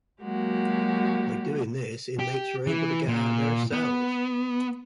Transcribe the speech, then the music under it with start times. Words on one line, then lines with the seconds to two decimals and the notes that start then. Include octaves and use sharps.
By doing this inmates were able to get out of their cells.
0.22 F#3 G#3 A#3 F#4 G4
2.19 G4
2.67 E3
3.08 A#2
3.73 B3